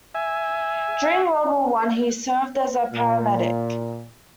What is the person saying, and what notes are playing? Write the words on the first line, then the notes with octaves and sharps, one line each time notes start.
During World War One he served as a paramedic.
E5 G#5
A#2